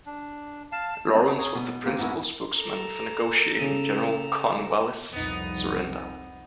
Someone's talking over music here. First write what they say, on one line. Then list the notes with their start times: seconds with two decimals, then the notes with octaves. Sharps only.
Laurens was the principal spokesman for negotiating General Cornwallis's surrender.
0.06 D4
0.72 F5 A5
1.15 F#3 C4 D#5
1.38 G#4 C#5 A#5 D#6
1.55 B2
1.84 G#3 A#3 C4
1.99 G#2 B3 E4 F#4 A#4
2.54 A4 A#5
3.59 C#3 D#7
5.13 C2 F2 B3 D#4